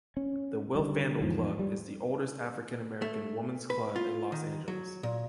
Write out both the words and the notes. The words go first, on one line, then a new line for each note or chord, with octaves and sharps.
The Wilfandel Club is the oldest African-American women's club in Los Angeles.
C#4
D3 G3
E2 G#2 F3
G3
A3
B4
F4
D#3
F#3
A#2